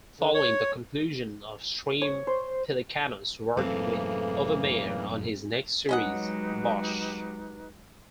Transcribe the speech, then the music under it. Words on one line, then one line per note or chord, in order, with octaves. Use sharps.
Following the conclusion of "Treme" Pelecanos worked with Overmyer on his next series "Bosch".
D3
C#5
C#5
C5
F#2 A2 C#3 E3 A#3 C4 A4
F#3 G#3 C#4 D#4 G4 B4 D#5 F#5